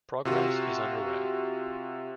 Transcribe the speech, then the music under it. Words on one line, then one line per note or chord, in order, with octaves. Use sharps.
Progress is under way.
C3 F4 F#4